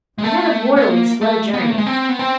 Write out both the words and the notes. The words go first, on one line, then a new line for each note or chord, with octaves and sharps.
We had a mortally slow journey.
G#3
A3
B3
A#3
A3
B3
A#3
A3
G#3
C4
B3
C4